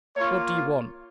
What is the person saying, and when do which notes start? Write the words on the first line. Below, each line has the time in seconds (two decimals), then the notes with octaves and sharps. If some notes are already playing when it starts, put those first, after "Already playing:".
What do you want?
0.16 A#3 F4 C#5